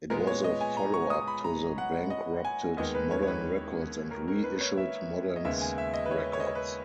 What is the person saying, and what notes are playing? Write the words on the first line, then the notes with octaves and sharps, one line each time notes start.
It was a follow-up to the bankrupted Modern Records and reissued Modern's records.
A#2 G#3 B3 A#4
C#5
D#5
G#5
A#5
C#6
D#6
B5
A#5
F#5
D#5
G#5
D#2 D#3 G#3 B3 D#5
B4
C#5
C#5
B4
A#4
A#4
B4
C#5
E5
D#5
D#2 C#3 G#3 B3 E5
G#5
E5
D#5
B4
C#5
C#5
D#5
C#5
B4